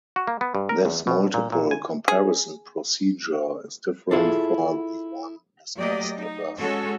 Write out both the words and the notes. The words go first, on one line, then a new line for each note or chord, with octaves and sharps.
This multiple comparison procedure is different for the one discussed above.
F#4
A#3
B3
G2
A#4
E2
B2
A#2
A#2
G#5
G#4
E4 F4 G#4 A4
F#3 A3 A#3 G4 D5 D#5
D#4
G#3 C#4 F#4 A4 C#5